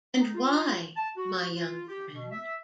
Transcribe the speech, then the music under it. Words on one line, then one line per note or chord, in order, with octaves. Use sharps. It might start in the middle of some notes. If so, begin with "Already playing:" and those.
And why, my young friend?
D#4
F4
A5
F#4
F4
G4
B2
E5